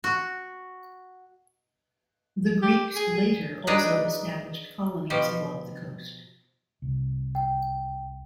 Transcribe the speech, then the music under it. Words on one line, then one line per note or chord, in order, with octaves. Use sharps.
The Greeks later also established colonies along the coast.
F#4
G4
G#4
G#4
D4 D#4 G#4 B4
B2 F3 G4
C2
G5